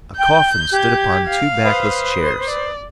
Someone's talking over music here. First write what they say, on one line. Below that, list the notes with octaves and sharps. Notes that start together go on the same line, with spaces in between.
A coffin stood upon two backless chairs.
G5 G6
G4 G#6
F5
B4 C5 D#6
D5